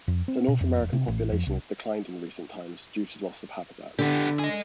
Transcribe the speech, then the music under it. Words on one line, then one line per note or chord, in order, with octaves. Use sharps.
The North American population has declined in recent times due to loss of habitat.
F2
C4
B2
F2
F1
C3
A1
F2
C2
D3 B3 G4
G#4 D#5